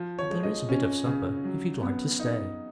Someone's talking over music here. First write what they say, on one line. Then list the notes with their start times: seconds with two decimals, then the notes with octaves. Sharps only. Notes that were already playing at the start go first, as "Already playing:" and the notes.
But there is a bit of supper, if you like to stay.
Already playing: F3
0.19 C#5
0.30 G#3
0.43 D#5
0.69 C#4
1.06 C#3
1.44 F#3
1.83 B3
2.20 D#4